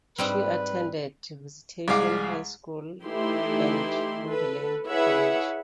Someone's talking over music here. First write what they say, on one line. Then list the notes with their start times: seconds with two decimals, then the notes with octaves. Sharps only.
She attended Visitation High School and Mundelein College.
0.18 G#2 G3 C4 B4
1.88 C2 G#3 G#4 F5 D6
3.04 E3 A3 D#4 E4 G4 C6
4.27 A4 B4
4.87 E4 G#4 B4 C#5 E5 F#5